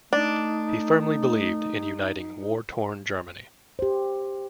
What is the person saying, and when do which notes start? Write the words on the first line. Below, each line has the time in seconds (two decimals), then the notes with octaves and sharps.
He firmly believed in uniting war torn Germany.
0.13 A3 D4 D#4
3.79 G4 C5